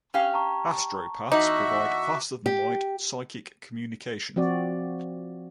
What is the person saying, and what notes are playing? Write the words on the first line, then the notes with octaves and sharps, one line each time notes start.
Astropaths provide faster-than-light psychic communication.
C#4 G4 F5
A5 A#5 C#6
E2 D#4 F#4 E5 D6 F#7
G4
F3 C4 F#4 D5